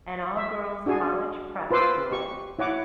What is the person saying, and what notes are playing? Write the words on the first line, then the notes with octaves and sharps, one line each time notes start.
an all-girls college prep school
E5
D4 F#4 G#4 G#5
F4 B4 C5 C6 D6 E6
G4 C#6
E4 C#5 F#5 D6